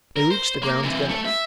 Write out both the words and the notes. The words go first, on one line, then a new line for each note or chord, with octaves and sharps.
They reached the ground together.
A#4
C5
A#3
C3 E3
A3
E5